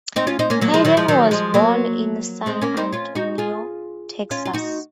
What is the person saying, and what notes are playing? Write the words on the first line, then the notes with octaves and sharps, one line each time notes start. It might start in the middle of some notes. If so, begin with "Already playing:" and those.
Hayden was born in San Antonio, Texas.
C4 D#4
C#4 F4
C4 D#4
A#3 C#4
F#3 A#3
F3 G#3
D#3 F#3
F3 G#3
D#3 F#3
F3 G#3
F#3 A#3
G#3 C4
A#3 C#4
C4 D#4
C#4 F4
D#4 F#4
F4 G#4
C#4 F4
F4
D#4 F#4